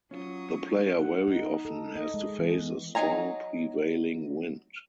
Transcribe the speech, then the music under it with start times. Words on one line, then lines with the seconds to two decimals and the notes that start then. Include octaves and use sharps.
The player very often has to face a strong prevailing wind.
0.11 F#3 C#4 F4 C#6 D#6
0.99 F#5
1.28 D#4
1.65 A4
1.95 D#5
2.14 G#3
2.39 E3
2.59 B3
2.95 F#3 D#4 G#5 A#5